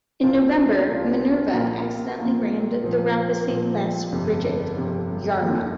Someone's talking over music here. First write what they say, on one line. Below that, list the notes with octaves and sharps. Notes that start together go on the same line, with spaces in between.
In November, "Minerva" accidentally rammed the "Rothesay"-class frigate "Yarmouth".
C2 C3 G3 C4 F4
C2 C3 G3 C4 F4
A#1 A#2 A#3 F4 A#4
A#1 A#2 A#3 F4 A#4
A#1 A#2 F3 C4
A#1 A#2 F3 C4
G1 F2 C3
G1 F2 C3
F1 D#2 D#3